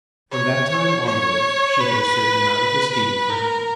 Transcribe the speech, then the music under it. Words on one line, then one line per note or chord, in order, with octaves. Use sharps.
From that time onwards she had a certain amount of esteem for him.
C#5
C#5
B4
B4
A#4